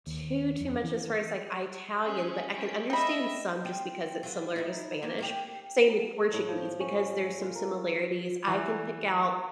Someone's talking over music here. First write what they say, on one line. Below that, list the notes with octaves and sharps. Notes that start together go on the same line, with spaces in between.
too, too much as far as like Italian, but I can understand some, just because it's similar to Spanish. Same with Portuguese, because there's some similarities. I can pick out
D#2
F2
E3
C#4 G#4
C#4 G4
D#5 E5 G5 B5
C4
F#3 F4
D#4 E4
A#3
A#3 F#4 G4
A2
F3
C#4
F4
A#4
E3